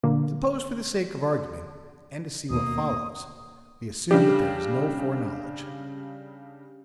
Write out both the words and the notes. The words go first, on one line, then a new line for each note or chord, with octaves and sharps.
Suppose, for the sake of argument, and to see what follows, we assume that there is no foreknowledge.
A#2 D3 A#3
D#2 B2 A#3 D#6
C#3 G3 D4 G4